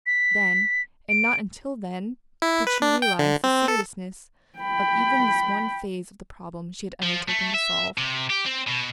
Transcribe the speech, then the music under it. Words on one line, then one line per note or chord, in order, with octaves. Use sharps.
Then, and not until then, did she realize the seriousness of even this one phase of the problem she had undertaken to solve.
B6
D7
E4
B4
D4
G5
D3
C4
A4
G5 B5
F3
A3
E5
C3
G4
C4
B2